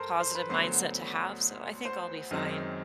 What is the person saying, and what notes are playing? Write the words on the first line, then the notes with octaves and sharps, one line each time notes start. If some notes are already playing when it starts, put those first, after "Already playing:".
positive mindset to have. So, I think I'll be fine.
Already playing: G2 A4 A#4 C5 A#5 C6
C5 C6
B4 B5
D2 D3 F#3 B3 C5 C6
C5 C6
F#2 D#3 G#3 C4